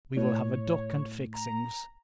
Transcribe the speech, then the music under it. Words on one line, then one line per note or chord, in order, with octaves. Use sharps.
We will have a duck and fixings.
A2 C#5
A#5